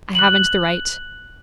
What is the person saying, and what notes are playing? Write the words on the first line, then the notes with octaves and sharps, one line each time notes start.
I haven't the right.
F#6 F#7